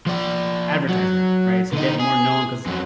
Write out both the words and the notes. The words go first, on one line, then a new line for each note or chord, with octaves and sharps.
advertisement," right? So, get more known 'cause"
F3 D5
F#3
D3 D#4
G#4
F2 F#3